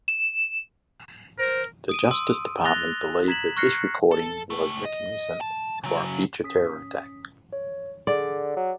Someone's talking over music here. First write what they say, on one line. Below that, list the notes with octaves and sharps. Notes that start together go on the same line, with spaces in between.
The Justice Department believed that this recording was reconnaissance for a future terror attack.
E7
A#4 C5
D#6 D7 D#7
C6 D#6 E6
F#6 A6 A#6 F7 G7
A#5 G#6 B6 E7 F#7
C#6 F6 F#6 A#6 C7 C#7
A4
C#2 A3
D#5
A5
C#3 F#3
C#4 D#6 B6
C#5
D3 G#4 D5
F#3